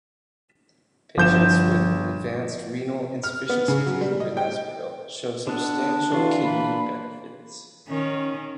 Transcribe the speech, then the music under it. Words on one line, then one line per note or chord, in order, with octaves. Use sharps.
Patients with advanced renal insufficiency taking benazepril show "substantial" kidney benefits.
G1 F3 G6 E7
F6
B3
C#3
F#3
G3
D#5
G5
D3 B3 D4
D3 E3 D4 F4 F#4
E3 A#3 B5
D#3 C#4